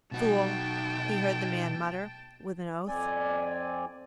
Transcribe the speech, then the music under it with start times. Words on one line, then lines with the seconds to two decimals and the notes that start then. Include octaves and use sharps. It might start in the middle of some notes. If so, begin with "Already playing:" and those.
"Fool!" he heard the man mutter, with an oath.
0.12 B1 F#4 G5 A5
2.88 F2 C4 D5 G#5